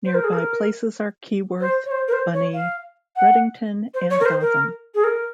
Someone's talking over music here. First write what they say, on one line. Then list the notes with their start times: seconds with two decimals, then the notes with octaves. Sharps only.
Nearby places are Keyworth, Bunny, Ruddington and Gotham.
0.04 C5
0.14 A#4
0.24 G#4
0.33 A#4
1.60 C5
1.85 C#5
1.91 C5
2.08 A#4
2.12 C5
2.33 C#5
2.53 F5
3.16 F#5
3.94 C5
4.10 C#5
4.20 A#4
4.25 C5
4.41 A#4
4.94 G#4
5.03 A#4